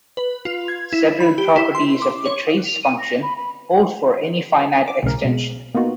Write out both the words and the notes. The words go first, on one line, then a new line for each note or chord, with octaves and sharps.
Several properties of the trace function hold for any finite extension.
B4
F4
G#6
E4
B5
G4
E4
C6
D6
C#5
F7
D#7
A#6
B5
B5
D6
B1 A2 C#3 A#4
B2 G#3
A#3 B3 D#4 F4 F#4